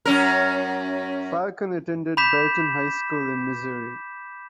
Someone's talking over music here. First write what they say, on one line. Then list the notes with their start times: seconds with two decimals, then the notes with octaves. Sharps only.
Falcon attended Belton High School in Missouri.
0.05 F#2 C#4 A#4
2.17 B5 D6 G6 B6 E7